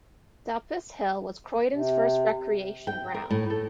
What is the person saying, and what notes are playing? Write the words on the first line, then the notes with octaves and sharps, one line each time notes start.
Duppas Hill was Croydon's first recreation ground.
C3
G5
A#4
A2
A4